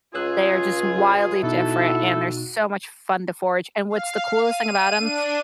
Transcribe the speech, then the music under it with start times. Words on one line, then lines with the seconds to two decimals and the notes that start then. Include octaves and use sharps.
They are just wildly different, and they're so much fun to forage, and what's the coolest thing about 'em
0.15 C#2 F4 G#4 C#5 E6 F#6
1.43 B2 D#4 E4 F#4 A4
3.90 F5
4.41 D#7
5.00 D4